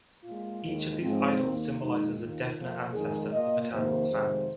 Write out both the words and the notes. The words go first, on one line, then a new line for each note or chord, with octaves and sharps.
Each of these idols symbolizes a definite ancestor of the paternal clan.
A#2 F4
G#3
D#2 D#3 G#3
G#2 F3 G#3 C4
D#2 D#3 A#3
F2 D#3 G#3 D#4
D#2 D#3 A#3 F4
F2 C3 F3 A#3
F2 D#3 G#3 G#4
A#2 A#3 D#5
F2 C3 D#3 A#3 C5
F2 C3 D#3 G#3